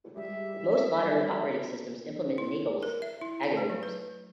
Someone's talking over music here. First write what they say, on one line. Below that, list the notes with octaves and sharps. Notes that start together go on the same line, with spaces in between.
Most modern operating systems implement Nagle's algorithms.
G3 G#3 G4 E5
E4
A#4
E5
E4
A5
A3
F#3
B4